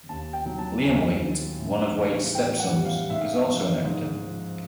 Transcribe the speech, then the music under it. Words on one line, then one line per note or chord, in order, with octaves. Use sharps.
Liam Waite, one of Waite's stepsons, is also an actor.
D#2 A5
G5
D#3 F#3
A5
D#2 G#5
D#3 F#3
A2
E3 G3
A2 G5
F#5
E3 G3
F5
G#2 E5
F5
E5
F3
G#2
F3